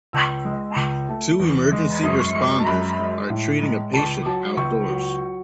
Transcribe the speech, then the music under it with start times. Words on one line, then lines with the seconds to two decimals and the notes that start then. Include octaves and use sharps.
Two emergency responders are treating a patient outdoors.
0.13 C#2 E6
0.45 G#3
0.76 C#2
1.09 A3
1.40 E2
1.72 G#3
2.03 F#2 D#6
2.20 C#6
2.35 G#3 C#6
2.51 C#6
2.66 F#2 B5
2.99 G#3
3.30 A2
3.62 G#3
3.93 C#2 A5
4.26 F#3 A5
4.57 C#2 C#6
4.89 F#3